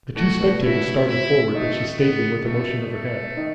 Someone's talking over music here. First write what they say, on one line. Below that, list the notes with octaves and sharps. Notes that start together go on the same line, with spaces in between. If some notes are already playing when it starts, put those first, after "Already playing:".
The two spectators started forward, but she stayed them with a motion of her hand.
A2 A3 F#4
B2 B3
C#3 C#4 E4
E4
D#3 A3 D#4
B3
A3
A3
D#3 D#4